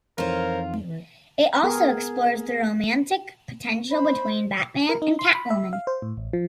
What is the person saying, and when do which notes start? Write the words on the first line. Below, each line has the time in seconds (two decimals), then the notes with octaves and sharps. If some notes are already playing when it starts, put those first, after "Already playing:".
It also explores the romantic potential between Batman and Catwoman.
0.18 F2 E3 D#4 F4 A#4 C5 C#5
1.63 B3 G#4 A#4
3.91 C5 B5
4.89 A#4
5.02 D#4
5.19 C6
5.35 B5
5.50 E5
5.73 F5
5.87 C5
6.02 A2
6.17 A1
6.33 F3